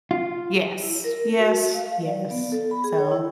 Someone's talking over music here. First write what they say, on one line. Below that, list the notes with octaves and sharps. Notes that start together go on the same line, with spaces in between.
Yes, yes, yes. So
F4
E4
A#4
F#4
F5
D5
B3
A4
B5
G#4
C#5
E4